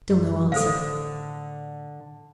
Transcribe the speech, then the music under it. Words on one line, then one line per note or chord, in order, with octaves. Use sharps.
Still no answer.
F#2
A2 D3 A4 C5 F5